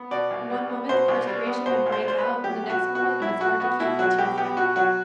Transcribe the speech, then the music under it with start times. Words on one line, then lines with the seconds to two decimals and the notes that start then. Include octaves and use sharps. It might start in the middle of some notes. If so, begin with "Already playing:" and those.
One moment the perspiration would break out and the next moment it was hard to keep the tears back.
Already playing: B3
0.11 B2 D5
0.31 C2
0.50 G3
0.70 B3
0.89 B2 C5
1.08 C2
1.27 G3
1.46 B3
1.66 B2 C5
1.86 C2
1.92 C5
2.06 G3 C5
2.18 B4
2.25 B3
2.44 F#3 G4
2.63 B2
2.70 F#4
2.82 B3
2.95 F#4
3.02 B2
3.22 F#3 E4
3.41 B2 F#4
3.60 B3 F#4
3.80 B2 E4
3.99 F#3 F#4
4.18 B2 G4
4.38 B3 G4
4.57 B2 F#4
4.76 F#3 F#4